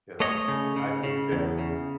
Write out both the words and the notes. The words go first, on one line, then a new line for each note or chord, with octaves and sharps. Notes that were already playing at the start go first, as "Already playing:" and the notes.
you know? I think that,
A3 C#5 D#5
C#3
C#3
C#3
E2
C#3